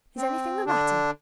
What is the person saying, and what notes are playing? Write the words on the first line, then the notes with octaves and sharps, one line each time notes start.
Is anything the matter?'
C4
D3 D4